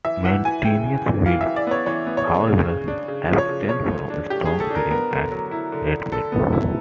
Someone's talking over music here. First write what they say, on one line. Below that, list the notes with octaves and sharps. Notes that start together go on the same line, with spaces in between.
Mandaeans will, however, abstain from strong drink and red meat.
E3 E5
E3 F#5
E3 G#5
C#3 G5
C#3
E3
E3 F5
E5
E3
D5
B3 C#5
E3 C#5
B3
C#5
C#3
C#3
C#3
D4
C#3
F3
C#5
C#3
F3 C#5
A3
D4
A3 G4
C#3 G#4
A4
D4
A#4
B3 A#4
D3
F#3
E4
D3
D3
D3 A4
B3
E4